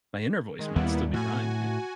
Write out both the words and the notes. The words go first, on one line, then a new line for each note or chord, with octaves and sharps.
my inner voice might still be rhyming it.
D#3 G#3
D#2 G3 A#3 B3 E4
A2 F#4 G#5